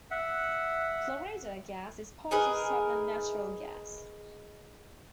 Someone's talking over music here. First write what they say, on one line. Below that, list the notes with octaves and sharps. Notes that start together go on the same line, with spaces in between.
Florida Gas is part of Southern Natural Gas.
E5 F#5
D#4 G#4 A#4 B4